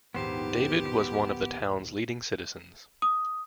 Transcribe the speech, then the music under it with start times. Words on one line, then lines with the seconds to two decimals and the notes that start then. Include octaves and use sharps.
David was one of the town's leading citizens.
0.15 A#1 D#2 G#2 B3 G4 C5
3.02 D#6